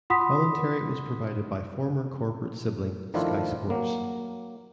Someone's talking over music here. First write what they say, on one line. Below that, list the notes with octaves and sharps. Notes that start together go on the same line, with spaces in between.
Commentary was provided by former corporate sibling Sky Sports.
F4 F#5 B5 C6 D#6 B6
D#3 F3 A3 D4 E4 F4
F#3 A#3